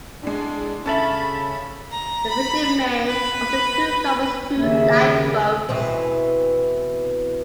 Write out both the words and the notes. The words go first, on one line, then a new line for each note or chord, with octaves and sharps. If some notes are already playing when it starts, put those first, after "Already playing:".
The fishermen also crewed Cromer's two lifeboats.
A2 G#3 D4
C#3 C#4 A4 E5 A5 B5 A6 F#7
A#5
B5
B4
D#2 A#2 C#3 G#4 E5
B2 E3 C4